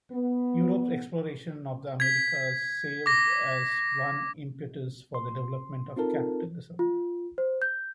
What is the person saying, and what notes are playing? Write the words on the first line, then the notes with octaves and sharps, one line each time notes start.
Europe's exploration of the Americas served as one impetus for the development of capitalism.
B3
G#6 B6
D6 A#6
C6
C4 D#4 F4 A4 A#4 A5
F4
C5
G6